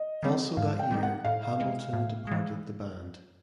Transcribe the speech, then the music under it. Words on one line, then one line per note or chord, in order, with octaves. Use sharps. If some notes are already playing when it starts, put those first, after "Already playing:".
Also that year, Hambleton departed the band.
Already playing: D#5
D#3 G3 C4
G#2 F5
G5
D#3 G3 C4
F#5
A2 F5
E3 G#3
A2
E3 G#3